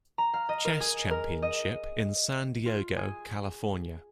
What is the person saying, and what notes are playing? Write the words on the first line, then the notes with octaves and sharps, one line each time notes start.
Chess Championship in San Diego, California.
A#5
F5
D#5
A#4
G#4
A#4
D#5
F4
G#4